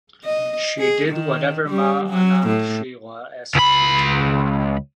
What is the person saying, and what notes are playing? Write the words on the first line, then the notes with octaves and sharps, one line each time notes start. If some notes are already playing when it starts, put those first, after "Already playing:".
She did whatever Ma Anand Sheela asked her to do.
D#5
G#4
D#3
G3
F#3
A2
C#2 B5